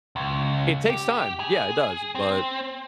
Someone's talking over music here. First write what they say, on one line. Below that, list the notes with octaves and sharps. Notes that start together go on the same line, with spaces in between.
it takes time. Yeah, it does. But,
C#2
G4
G#4
C4